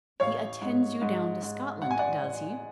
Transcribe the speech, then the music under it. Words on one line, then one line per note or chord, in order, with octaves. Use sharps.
He attends you down to Scotland;--does he?
A1 C#5 F5
G#2
G#2
G#2
A1 F#5
G#5
D5 F#5
A1